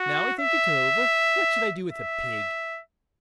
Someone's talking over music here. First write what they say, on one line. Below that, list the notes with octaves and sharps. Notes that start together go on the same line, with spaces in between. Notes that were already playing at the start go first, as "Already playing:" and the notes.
Now I think it over, what should I do with a pig?
Already playing: F#4
E5
E5